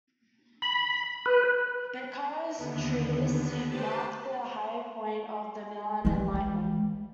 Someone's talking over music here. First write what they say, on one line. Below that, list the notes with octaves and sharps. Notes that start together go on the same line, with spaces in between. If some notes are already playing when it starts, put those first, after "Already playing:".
Beccaria's treatise marked the high point of the Milan Enlightenment.
B5
B4
D#2 D3 B3
G4 B4 C5 A5
E3 G#3